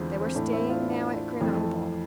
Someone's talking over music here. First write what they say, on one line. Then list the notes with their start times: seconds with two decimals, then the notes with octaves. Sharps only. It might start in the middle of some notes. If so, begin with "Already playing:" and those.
They were staying now at Grenoble.
Already playing: E2 D3 G#3 C4 E4 F4
0.21 C4
0.34 A2 E3 A3 D4
0.52 C4 E4
0.70 D4 F4
0.88 D4 F4
1.41 F2 E3 A3